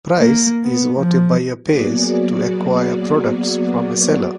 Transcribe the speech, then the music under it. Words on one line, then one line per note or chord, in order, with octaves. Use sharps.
Price is what a buyer pays to acquire products from a seller.
A#3
B3
F3
F#3 A#3 B3 F#4 G#4 D5